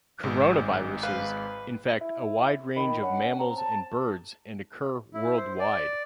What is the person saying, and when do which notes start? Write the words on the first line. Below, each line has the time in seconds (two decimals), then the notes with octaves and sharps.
Coronaviruses infect a wide range of mammals and birds and occur worldwide.
0.23 G#1 G#2
1.03 B4 F5
2.01 E4
2.76 D#3 B5
3.03 C#4 F#5
3.39 C4 A#5
3.57 A5
5.14 E4
5.37 C5
5.60 D5